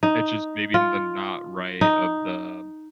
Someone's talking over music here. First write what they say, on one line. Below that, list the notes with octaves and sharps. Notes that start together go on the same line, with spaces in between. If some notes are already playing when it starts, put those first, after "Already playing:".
it's just maybe the not right of the,
D#4
F4
D#4